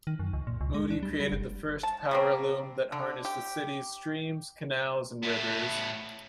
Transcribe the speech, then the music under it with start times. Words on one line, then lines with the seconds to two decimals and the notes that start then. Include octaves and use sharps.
Moody created the first power loom that harnessed the city's streams, canals, and rivers.
0.07 D#3
0.19 F#2
0.33 C#2
0.47 A#2
0.61 C#2
0.74 G#3
0.90 D4
1.03 G3
1.20 G3
1.32 F#1
1.83 A5
2.11 G3 A#3 C4
2.92 D3
3.25 G4
5.23 A2 B3